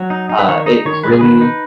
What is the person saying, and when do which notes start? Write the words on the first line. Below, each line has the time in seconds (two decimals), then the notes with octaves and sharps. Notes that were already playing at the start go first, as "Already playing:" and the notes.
Uh, it really
Already playing: F#3 C#5
0.10 D#4
0.29 D#4
0.39 B4
0.48 D#3 C#5
0.66 D#4 D#5
0.85 D#3 C#5
1.04 G#3 B4
1.12 G#4
1.21 D#3 B4
1.41 D#4